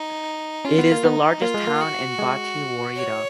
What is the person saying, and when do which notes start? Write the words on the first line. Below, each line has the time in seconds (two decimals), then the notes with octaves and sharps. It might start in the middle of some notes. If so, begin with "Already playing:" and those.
It is the largest town in Bati woreda.
Already playing: D#4
0.65 C#4 F4
0.78 B3
0.92 A#3
1.03 B3 D#4
1.42 A#3 F4
1.54 G#3
1.67 A#3
1.81 F#4
2.19 G#3
2.96 C#5